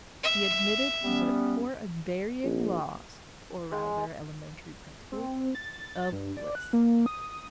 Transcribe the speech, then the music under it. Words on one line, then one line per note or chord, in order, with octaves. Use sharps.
He admitted but four unvarying laws, or rather elementary principles, of Bliss.
E5
G3 B3 C#4
A#1
G#3
C4
A6
G2
D5
F#6
A#3
D#6